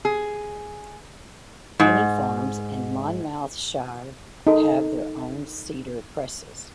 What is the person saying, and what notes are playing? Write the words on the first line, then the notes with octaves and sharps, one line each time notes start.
Many farms in Monmouthshire have their own cider presses.
G#4
G#2
D#4 A4